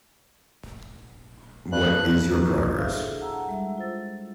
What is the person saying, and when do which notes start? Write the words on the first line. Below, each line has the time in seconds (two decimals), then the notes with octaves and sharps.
What is your progress?
1.72 G2 F#6
2.30 D4 E4 F#4 G4 B4 A#5
2.77 G#4 A4 C5 E5 F5
3.21 F#5 A5 A#5 E6
3.47 G3 G#3 E5
3.78 F4 C5 E6 A6